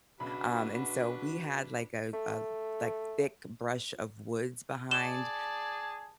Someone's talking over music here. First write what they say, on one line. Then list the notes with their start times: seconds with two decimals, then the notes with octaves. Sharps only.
um, and so we had like a a like thick brush of woods behind
0.20 B1 C#3 D4 F#4 B4 B5
2.13 A3
4.91 G#4 D5 A5 E7 G7